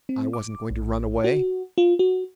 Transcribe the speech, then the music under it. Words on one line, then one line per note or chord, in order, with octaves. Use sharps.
I wasn't going to run away.
C4
D6
A#1
F#4
F4
F#4